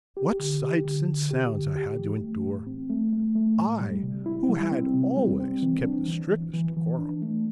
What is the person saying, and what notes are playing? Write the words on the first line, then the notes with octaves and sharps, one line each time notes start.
What sights and sounds I had to endure--I who had always kept the strictest decorum!
G4
D3
G4
D3
D3
G4
D3
G4
E3
A3
A2
C4
A3
A3
A3
A2
G3
C3
E4
G3
C4
C3
G3
C4
E3
D4
E3
E3
E3
E3
D4
A3